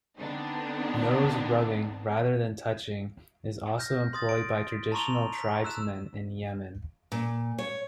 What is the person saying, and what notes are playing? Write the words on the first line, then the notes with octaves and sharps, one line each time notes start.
Nose rubbing, rather than touching, is also employed by traditional tribesmen in Yemen.
D3 B3 C4 D4 D#4
F6 G6 A#6
C6 D#6 A6
D7
A5 A#5 C6 C#6 F7
B6
E6 F#6 E7
A#2
C#5